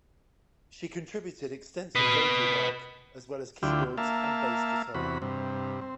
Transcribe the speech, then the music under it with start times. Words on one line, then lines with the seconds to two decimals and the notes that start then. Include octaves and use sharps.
She contributed extensive vocal work as well as keyboards and bass guitar.
1.96 B4 D#5
3.63 D2 D3 E4 F4 G5
3.98 A#3 E5 F5 A5
4.95 E2 C3 F#4 B5
5.22 G2 C3
5.81 C4